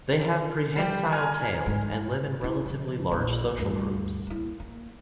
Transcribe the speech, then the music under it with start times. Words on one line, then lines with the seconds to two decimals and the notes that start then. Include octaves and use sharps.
They have prehensile tails and live in relatively large social groups.
0.76 G3 G4
1.12 G#5 A#5 F6
1.66 G#2
2.41 C#4 E4
2.66 C#3 F3
3.11 A#1 F#3
3.58 D2 G2
4.27 A#3 E4
4.60 A#3